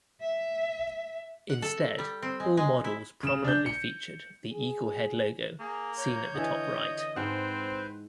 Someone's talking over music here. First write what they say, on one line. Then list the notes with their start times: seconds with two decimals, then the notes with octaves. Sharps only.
Instead, all models prominently featured the Eagle head logo, seen at the top right.
0.21 E5
1.50 F#5
1.62 A4
1.99 G3
2.22 C4
2.40 G#3
2.57 G#3
2.85 E4
3.23 C#3 E7
3.44 D4 G6
3.66 C#7
4.52 G#4
5.60 A#3 G#4
5.98 C#5 G6
6.35 D3 E3 D#5
7.16 G#2 C4 B4 C5 F#5